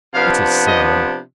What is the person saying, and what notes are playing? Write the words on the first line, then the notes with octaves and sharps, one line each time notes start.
What is Cinnamon?
C3 F3 B3 D4 F5
D#5